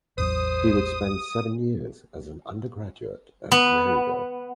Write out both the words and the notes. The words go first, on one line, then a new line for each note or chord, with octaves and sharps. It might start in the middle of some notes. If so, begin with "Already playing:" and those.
He would spend seven years as an undergraduate at Maryville.
A1 E2 F#3 C5 D#6
B3